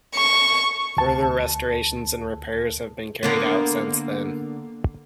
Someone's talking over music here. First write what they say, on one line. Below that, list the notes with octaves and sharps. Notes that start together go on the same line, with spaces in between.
Further restorations and repairs have been carried out since then.
C#6
D2 A5
D3 A#3 B3